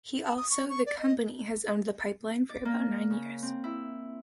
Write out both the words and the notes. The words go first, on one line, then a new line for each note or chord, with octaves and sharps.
He also the company has owned the pipeline for about nine years.
A5
D#6
C#6
C#6
D5
D#5
D5
A#3
C#3
C4
E4